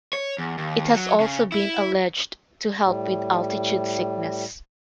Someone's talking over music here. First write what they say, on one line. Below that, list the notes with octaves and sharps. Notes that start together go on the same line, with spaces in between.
It has also been alleged to help with altitude sickness.
C#5
E2
D#2
F#3
C#3
E4
A2 G3